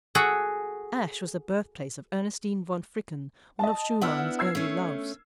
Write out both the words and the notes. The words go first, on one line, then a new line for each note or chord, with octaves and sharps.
Asch was the birthplace of Ernestine von Fricken, one of Schumann's early loves.
F#4 G#4 A4 F#5
D#5 A5
B3 D4 E4 F#5 E6 F6
E6 G#6 C7
A3 C#4